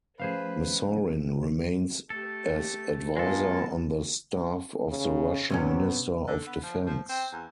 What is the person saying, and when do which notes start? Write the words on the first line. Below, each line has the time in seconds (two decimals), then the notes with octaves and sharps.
Masorin remains as advisor on the staff of the Russian Minister of Defense.
0.20 F3 A3 C#4 G#4 B4 C5 F5
2.10 A3 G4 A4
3.17 G#3 B3 F4 A4 A#4 G#5 A5
4.88 C#3
5.50 G2 C3 B3 C#4
6.27 D3
6.46 B3
6.63 F3
6.86 F3
7.09 C4
7.32 E2